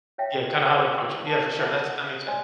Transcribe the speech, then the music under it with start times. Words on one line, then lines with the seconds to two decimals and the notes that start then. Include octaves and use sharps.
Yeah, kinda how to approach it. Yeah, for sure, that's that makes sense.
0.18 C#5 E5 F5 G5
0.63 B4 G5 D6
1.27 A5
1.59 C5 D#5 E5 F#5 B5 D6
2.27 C5 D5 D#5 G#5 C6